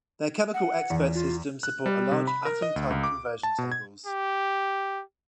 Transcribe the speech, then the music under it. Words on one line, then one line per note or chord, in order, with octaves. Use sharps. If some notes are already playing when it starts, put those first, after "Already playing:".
Their chemical expert systems support a large atom type conversion tables.
F#5
E2
F4
F#6
G3
C3
B5
A#4
D#5
D2
C#2
D6
A5
B2
G#6
G4